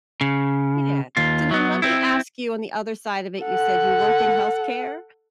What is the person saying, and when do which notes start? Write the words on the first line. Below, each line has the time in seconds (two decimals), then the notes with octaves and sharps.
Yeah. So, then let me ask you, on the other side of it, you said you work in healthcare?
0.21 C#3
1.17 D#2 F4
1.51 F#3 B3
1.82 C4 E4
3.44 A4 F#5